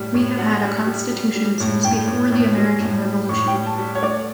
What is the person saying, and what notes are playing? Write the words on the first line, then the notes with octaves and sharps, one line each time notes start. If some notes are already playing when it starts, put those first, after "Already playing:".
We have had a constitution since before the American revolution.
Already playing: A2 G3
A2
G3 F#5
G3
G3
G3
G3
A2
A2 G5
A2
A2
G3
A2
G3
A2 C#6
G5
G3
A5
G3
C#5
A3 D5